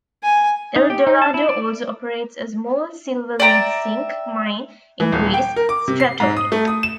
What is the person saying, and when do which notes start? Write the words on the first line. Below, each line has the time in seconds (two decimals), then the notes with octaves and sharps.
Eldorado also operates a small silver-lead-zinc mine in Greece: Stratoni.
0.24 G#5
0.76 D#4
0.90 G4
1.07 D#4
1.22 A5
1.34 E4
1.49 D5
3.40 D5 E5 G5 A#5
5.00 E3
5.12 D#1
5.34 G5
5.56 A#4
5.69 D6
5.88 C3
6.00 C7
6.20 G#2
6.37 D#6
6.52 A3
6.68 D#6
6.83 E7